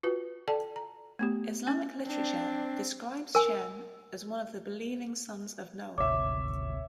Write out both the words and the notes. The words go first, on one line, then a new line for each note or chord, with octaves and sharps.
Islamic literature describes Shem as one of the believing sons of Noah.
F4 F#4 B4
A4 D5 G5 A5
A#5
A3 B3 G4
C#4 G#5
C4 D4
A#4 G#5
G#1 D2 C3 C#5 E5 D6